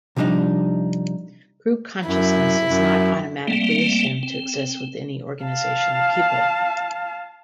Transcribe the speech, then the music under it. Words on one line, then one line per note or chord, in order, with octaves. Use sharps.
Group consciousness is not automatically assumed to exist with any organization of people.
C3 F3 G3 D4 D#4
F#2 E4
F#2
G3 A3 A#3 C4
C4
F5 A5